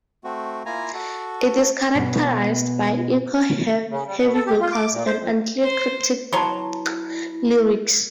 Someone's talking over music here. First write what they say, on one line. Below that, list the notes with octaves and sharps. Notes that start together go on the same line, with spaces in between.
It is characterized by echo-heavy vocals and unclear cryptic lyrics.
A3 C4 F#4
A#3 E4 F4 G#5 A#5
F#4 A4
B2 B3
C#3
G3
B2
A4
G4
F4
D6
A#2
C5
F2
C5
F#3 B3 E4 C#5 A5 A#5 C6 C#6